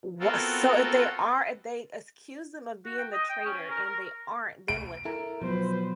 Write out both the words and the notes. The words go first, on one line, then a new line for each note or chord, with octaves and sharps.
Wha so if they are if they accuse 'em of being the traitor and they aren't, then what happens?
B3 C4 F4 F#4 A4 A#4
F#4
G5
D#5
G5
C#4
A#4
A#4
D7
E4 A4 A#4
B2 F3 F#3 B4 C5